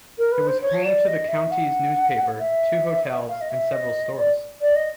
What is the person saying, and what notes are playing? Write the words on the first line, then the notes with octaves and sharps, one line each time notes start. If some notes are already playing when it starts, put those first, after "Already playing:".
It was home to the County's newspaper, two hotels and several stores.
A#4
B4
C5
C#5
D5
D#5
E5
F#5
E5
F5
D#5
E5
D#5
D5
D5
D#5